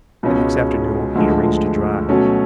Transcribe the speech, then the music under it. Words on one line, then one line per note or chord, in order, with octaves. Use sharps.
The next afternoon he arranged a drive.
C#2 B2 G#3 C#4
D2 D3 F3 G#3
B2 F#3 A3 C#4